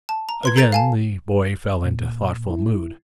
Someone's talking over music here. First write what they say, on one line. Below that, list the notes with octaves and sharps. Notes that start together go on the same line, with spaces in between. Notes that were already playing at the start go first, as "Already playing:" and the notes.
Again the boy fell into a thoughtful mood.
A5
A#5
B4 C6 G#6
A4 A#5 G6 A6 D7 F7
F5 G#5 A5
A#2
E4